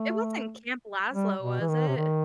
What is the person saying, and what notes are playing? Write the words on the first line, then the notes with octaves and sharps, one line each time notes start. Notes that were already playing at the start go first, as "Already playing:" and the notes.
It wasn't Camp Laszlo, was it?
Already playing: A3
G3
B2
E3
D#3
C3
D#3